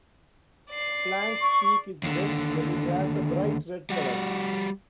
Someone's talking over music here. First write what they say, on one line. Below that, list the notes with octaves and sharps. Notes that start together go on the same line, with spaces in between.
Flank steak is best when it has a bright red color.
D5 C7
C#6
D#2 D3
G3 F#4